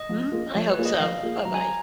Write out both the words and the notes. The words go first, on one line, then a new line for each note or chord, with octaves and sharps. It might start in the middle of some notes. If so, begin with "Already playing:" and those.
Mm, I hope so. Bye-bye.
Already playing: D#5
F3
A#3 F4 G#4
F3 C#5
B4
A#3 F4 G#4
D#5
F3 F5
A#3 F4 G#4
F#3 A#5
G#5
A#5